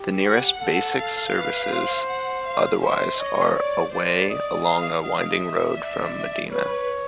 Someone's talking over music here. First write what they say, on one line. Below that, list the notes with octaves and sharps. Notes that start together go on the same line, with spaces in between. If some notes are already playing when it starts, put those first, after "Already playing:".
The nearest basic services, otherwise, are away along a winding road from Maydena.
Already playing: G4
F#5
A4
F5
B4
C5
F#5
F5
C5 E5
C#5 D#5
D5
C5 D5
D5 D#5
F5
D#5 F5
E5
D5
B4 C#5